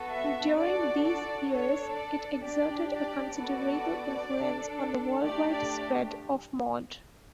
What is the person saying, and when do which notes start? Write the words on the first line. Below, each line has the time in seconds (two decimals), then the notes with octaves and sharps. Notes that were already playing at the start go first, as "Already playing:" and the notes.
During these years, it exerted a considerable influence on the worldwide spread of mod.
Already playing: B3 F#4 A4
0.10 E5
0.57 D4 F#4 A4 D5
1.04 D5
1.50 D4 A4 C#5
1.97 D5
2.43 D4 G4 D5
2.89 D5
3.36 B3 F#4 A4 D5
4.29 D4 A4
5.22 A3 D4 G4 D5
5.53 D5